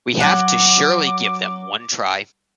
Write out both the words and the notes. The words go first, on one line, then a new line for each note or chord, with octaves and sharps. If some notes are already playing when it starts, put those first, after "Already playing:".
We have to surely give them one try.
F#3 F#4 D6